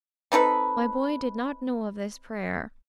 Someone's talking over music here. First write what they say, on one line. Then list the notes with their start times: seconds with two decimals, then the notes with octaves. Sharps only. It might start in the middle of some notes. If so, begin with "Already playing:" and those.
My boy did not know of this prayer.
0.32 C4 D#4 A4 B4